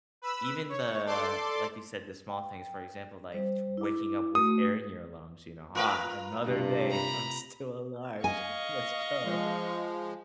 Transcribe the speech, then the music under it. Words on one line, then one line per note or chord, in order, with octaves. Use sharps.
even the like you said, the small things, for example, like, waking up with air in your lungs, you know? "Ah, another day, I'm still alive, let's go."
B4 B5 E6
C#5
A4 D5 C6 D6
G5
G3 C5
E4 D6
A3 F#4 D#6
F4 A#4 B4
G2 C3
A#5 B5
D#5 F5 G#5 C#6
F3 G#3